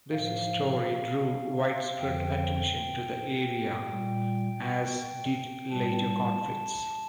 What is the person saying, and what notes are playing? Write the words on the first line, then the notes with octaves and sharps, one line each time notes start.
This story drew widespread attention to the area, as did later conflicts.
A2 F5
F3
F2 D3 F3 G5
A#2 G3
A2 G3 A5